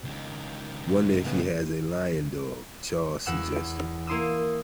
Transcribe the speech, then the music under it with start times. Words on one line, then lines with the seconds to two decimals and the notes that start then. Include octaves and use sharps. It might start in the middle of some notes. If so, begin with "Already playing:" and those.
Wonder if he's a lion dog, Charles suggested.
0.04 C#2 D#3
0.88 G#2
1.24 A2 C#3 B3
3.26 E2 F#5 E6
4.07 A#3 E4 C6 D#6 E6